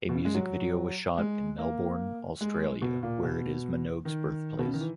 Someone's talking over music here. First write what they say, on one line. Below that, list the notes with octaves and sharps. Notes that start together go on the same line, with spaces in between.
A music video was shot in Melbourne, Australia, where it is Minogue's birthplace.
B2
C#3
G#3
F#3
G#3
A#3
G#3
B2
A#2
B2
D#3
B2
C#3
D#3
E3